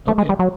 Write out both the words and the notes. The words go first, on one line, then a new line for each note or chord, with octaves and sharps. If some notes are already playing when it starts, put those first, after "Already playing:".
Oh, yeah.
A3
G#3
G3
F#3